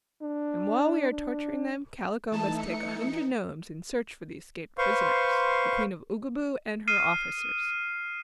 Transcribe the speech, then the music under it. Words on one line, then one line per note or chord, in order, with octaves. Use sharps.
And while we are torturing them Kaliko must take a hundred nomes and search for the escaped prisoners--the Queen of Oogaboo and her officers.
D4
D4
E3 A3 D#4 A5
C#7
B4 C5 F5 C6 C#6
D#6 F6 C7 D#7